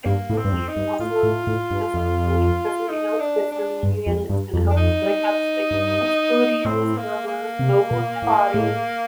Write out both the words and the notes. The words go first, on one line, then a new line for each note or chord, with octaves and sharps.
activity, it's also because I'm doing it because of you know, it's good for me and it's gonna help me, like, have s like, more flexibility and just feel more mobile in my body,
G2 A#3
A2
C4
G2
F2
D#4
G2
A2 F4
A2
A2
G2
F2
D#4
D4
D4
G2
F2
G2
F2
D4
D#4
G2
A2 C4
A#3
A#3
C3
A#2
A2
A2